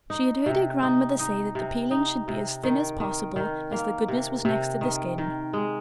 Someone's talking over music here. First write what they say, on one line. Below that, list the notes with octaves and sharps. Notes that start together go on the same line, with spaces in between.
She had heard her grandmother say that the peeling should be as thin as possible as the goodness was next to the skin.
D#4
C3
D#4
D#4
C3
D#4
C3
D#3
D#3
D#3
A#3
C3
C3
D#3
D#3
G#3